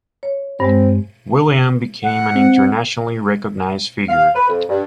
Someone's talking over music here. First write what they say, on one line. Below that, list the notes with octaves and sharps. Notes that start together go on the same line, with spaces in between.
William became an internationally recognised figure.
C#5
G2 G#3 C4
F#5
C4
F5
B4
F2
G2